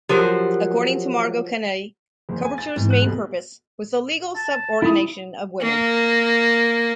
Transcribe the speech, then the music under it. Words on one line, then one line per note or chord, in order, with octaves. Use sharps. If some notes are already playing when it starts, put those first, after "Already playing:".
According to Margot Canaday, coverture's main purpose ... was the legal subordination of women.
F3 F#3 G4 A#4 C5
F#1
G#5
A6
G#2 E3
F#6
D#1 B2
A5
E4 D#6
A#3